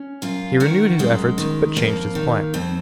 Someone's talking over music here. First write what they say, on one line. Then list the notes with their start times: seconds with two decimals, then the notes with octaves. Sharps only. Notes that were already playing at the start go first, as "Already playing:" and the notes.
He renewed his efforts, but changed his plan.
Already playing: C#4
0.22 F#2 F4
0.60 D#3 F#4
0.99 F#2 G#3
1.38 D#3
1.77 F2 A#3
2.15 D#3
2.54 F2 C4